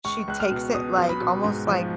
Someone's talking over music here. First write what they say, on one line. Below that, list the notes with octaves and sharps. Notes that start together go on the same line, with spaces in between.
She takes it, like, almost like
C#2 C#6
C#2 F#6
F6
B2
B2 D#6
F#3
B5
B2
G#2
F3